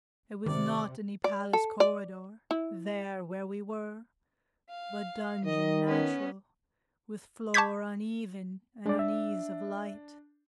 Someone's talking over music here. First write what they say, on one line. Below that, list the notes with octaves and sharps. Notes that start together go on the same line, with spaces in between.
It was not any palace corridor There where we were, but dungeon natural, With floor uneven and unease of light.
C3 D#3 D5
D5
A4
D5
E4
F5
D#3 D#5
B3 C#4
A5 C#6 D6 G6 G#6 B6
G#3 D4 D5
E5